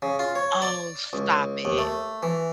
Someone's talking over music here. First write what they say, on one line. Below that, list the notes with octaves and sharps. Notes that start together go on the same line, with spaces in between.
Oh, stop it.
C#3
F4
C#5
D5
C#2
D#2
A3
E3